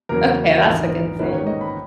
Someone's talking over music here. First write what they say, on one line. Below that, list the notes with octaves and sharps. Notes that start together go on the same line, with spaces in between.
Okay, that's a good thing.
E2 C#3 F#3 A#3 C#4 A#4
A#1 G#2 E3 B3
G#2 D#3 A#3 C#4 B4
C#5
D#5
B5